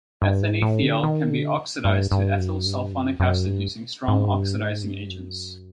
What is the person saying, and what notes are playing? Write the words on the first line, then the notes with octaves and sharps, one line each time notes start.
Ethanethiol can be oxidized to ethyl sulfonic acid, using strong oxidizing agents.
G2
G#2
A2
D3
D#3
D3
G2
G2
F#2
G2
F#2
F#2
G2
G#2
G2
G#2
G2
F#2